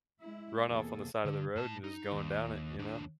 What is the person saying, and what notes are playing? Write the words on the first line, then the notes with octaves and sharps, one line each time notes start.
runoff on the side of the road and just going down it, you know?
G#3 E4
E2 C3 A#3 G#4 A4
D3
A2 A5
D#4
D#2
D#2 D4